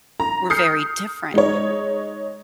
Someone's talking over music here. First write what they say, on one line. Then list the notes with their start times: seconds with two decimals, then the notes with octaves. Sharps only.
we're very different.
0.20 A#5
0.50 D#6 F6 G6 C7 C#7
1.34 G#3 D#4 C#5